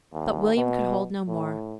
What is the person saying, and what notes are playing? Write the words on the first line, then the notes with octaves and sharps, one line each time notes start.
But William could hold no more.
D#2
B2
A2